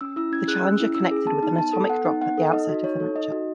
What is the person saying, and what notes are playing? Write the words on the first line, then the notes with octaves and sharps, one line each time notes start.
The challenger connected with an atomic drop at the outset of the matchup.
C#4 E6
E4 E6
C#4 G#6
G#4 F#6
C#4 E6
E4
C#4 E6
G#4
B3 A5
D#4
B3 A5
A4
B3 F#5
D#4
B3 F#5
A4
D#4 D#5
F#4
D#4 C#5
A4
D#4 D#5
F#4